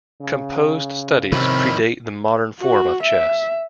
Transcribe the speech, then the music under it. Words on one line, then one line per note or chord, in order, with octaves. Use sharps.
Composed studies predate the modern form of chess.
C#3
F2 C3 D#3 E4 C#5 B5
F#4
E5